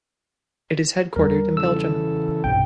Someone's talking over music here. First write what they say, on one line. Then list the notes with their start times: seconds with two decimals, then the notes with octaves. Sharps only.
It is headquartered in Belgium.
1.16 E2 G3 A#4
1.57 C#3 E3 A4 E6
2.44 B1 G2 C3 G5